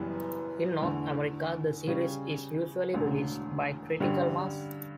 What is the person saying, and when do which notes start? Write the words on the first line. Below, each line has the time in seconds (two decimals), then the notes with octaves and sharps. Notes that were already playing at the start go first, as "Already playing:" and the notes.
In North America, the series is usually released by Critical Mass.
Already playing: F#1 F#2 E3 G3 B3
0.81 E2 D3 A3
1.87 C#3 G3 C#4
2.94 E1 D2 D3
4.00 G2 D3 G3 C#4 G4